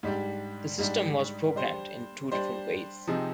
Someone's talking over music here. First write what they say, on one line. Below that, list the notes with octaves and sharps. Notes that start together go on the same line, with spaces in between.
The system was programmed in two different ways.
G#2 G3 D4 G4
G#2 G3 D4 G4
G3 D4 G4 C5
G3 D4 G4 C5
C3 F3 C4 D#4 G#4